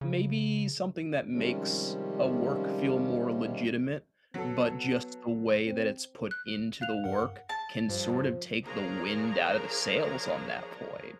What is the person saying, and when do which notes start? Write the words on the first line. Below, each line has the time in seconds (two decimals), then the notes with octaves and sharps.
maybe something that makes a work feel more legitimate, but just the way that it's put into the work can sort of take the wind out of the sails on that point
0.01 C#3
1.32 C3 D#3 F3 G3 G#3 C#4
4.34 F#3 B3 A4
5.66 C4
6.31 F#6
6.81 F5 F#6 F7
7.04 G2 A#4 F#5
7.49 A5
7.89 G2 F3
8.64 F3 D4 G#4 A#4 C#5 A#5